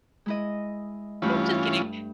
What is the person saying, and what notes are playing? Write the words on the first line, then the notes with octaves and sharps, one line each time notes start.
Just kidding.
G#3 E4 D#5
G2 E3 A3 C#4 F4 B5